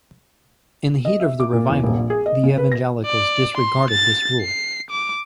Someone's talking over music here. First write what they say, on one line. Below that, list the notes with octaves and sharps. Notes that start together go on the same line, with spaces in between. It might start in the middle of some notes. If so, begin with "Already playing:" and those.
In the heat of the revival, the evangelicals disregarded this rule.
D#5
E5
D6
A#2
E2
D#1
A#1
G#4
D#5
C#3
B4
A#6
D5
C6
A6
C7
D6